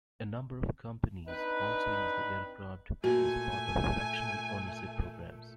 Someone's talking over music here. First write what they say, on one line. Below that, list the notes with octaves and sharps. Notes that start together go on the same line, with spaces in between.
A number of companies also use the aircraft as part of fractional ownership programs.
C4 D4 D#4 B4
A#2 A3 F#4 G#5